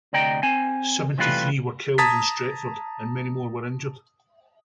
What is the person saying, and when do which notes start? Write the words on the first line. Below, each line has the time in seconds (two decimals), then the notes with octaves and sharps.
Seventy-three were killed in Stretford, and many more were injured.
0.13 D2 C3 D5 D#5 G5 A#5
0.43 C4 G#5
1.18 C3 E3 G3 A3 F4 B4
1.98 A5 A#5 D#6 G#6 A6 B6